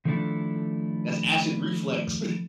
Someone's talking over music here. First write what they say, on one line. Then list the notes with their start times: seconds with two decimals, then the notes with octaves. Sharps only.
That's acid reflex.
0.05 D#3 F3 A3 D4 E4 A4